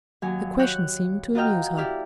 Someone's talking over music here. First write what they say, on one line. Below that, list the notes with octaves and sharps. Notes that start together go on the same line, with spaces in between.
The question seemed to amuse her.
D#2 F#3 G#5
C#5 F#6 G6
F4 F#4 A#4 D#5 G5 F6
E4 G4 D5 F6